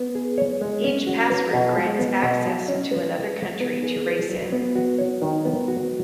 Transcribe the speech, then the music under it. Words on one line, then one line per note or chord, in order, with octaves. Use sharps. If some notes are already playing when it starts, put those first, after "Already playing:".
Each password grants access to another country to race in.
Already playing: B3
G#4
C#5
G#3
C#4
F#4
B4
B2
G#3
B3
B2
F#3
C#4
B4
D#5
G#3
B3
G#4
B4
F#3
B3
F#4
C#5
D#3
B3
F#4